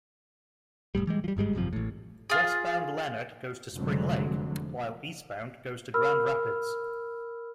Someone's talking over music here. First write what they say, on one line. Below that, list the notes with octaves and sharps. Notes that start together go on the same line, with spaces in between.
Westbound Leonard goes to Spring Lake, while eastbound goes to Grand Rapids.
F1 B1 A2 G3
E3 G3 G#3
F3 G3
G1 G#2 G3 G#3
G#1 F#2 C3 F3
A1 A2
F4 G#4
F1 F2 D3 F#3 G#3
A#4 B5 E6 F6